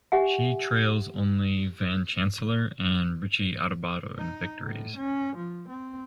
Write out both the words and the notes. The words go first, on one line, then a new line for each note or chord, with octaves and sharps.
She trails only Van Chancellor and Richie Adubato in victories.
G4 E5 F#5 G#5
D#4
A2
C#4
F3
C4